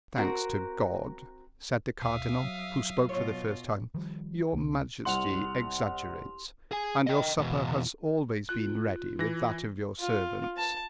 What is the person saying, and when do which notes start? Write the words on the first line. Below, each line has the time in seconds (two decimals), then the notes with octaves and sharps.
"Thanks to God," said the cardinal, who spoke for the first time, "your majesty exaggerates, and your supper has always been ready with that of your servants."
0.16 C4 F#4 A#4
2.02 D2 B2 E5 F5 D#6
2.44 F#3
3.09 B2 F4 C#5
3.94 D#3 F3 G3
4.53 C#2 C3
5.05 C2 F#5 C6 F7 F#7
6.72 G#4 G#5
7.07 D#5 G5
7.39 E2 B2
8.49 F4 F#6
9.19 E3 A#6
9.99 F4
10.57 A5